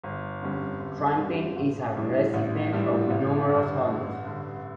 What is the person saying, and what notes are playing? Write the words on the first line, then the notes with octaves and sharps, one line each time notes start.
Trimpin is a recipient of numerous honors.
G1
F2 D3 G3 C#4
G1
F2 D3 G3 C#4
A1
A2 E3 G3 D4
A1
A2 E3 G3 D4
A1
G2 D3
A1
G2 D3